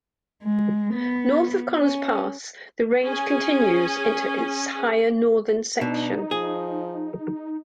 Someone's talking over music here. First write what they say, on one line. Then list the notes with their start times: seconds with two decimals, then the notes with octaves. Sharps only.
North of Connors Pass the range continues into its higher northern section.
0.43 G#3
0.95 B3
1.77 C#4
3.04 C#4 G#4 G#5
5.81 B2 D4 D#4
6.31 F3 G#4